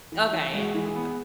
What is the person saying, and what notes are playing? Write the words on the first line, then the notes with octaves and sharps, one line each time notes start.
Okay, yeah, yeah.
E3
E3
G#3 F#4
E3
G#4
B3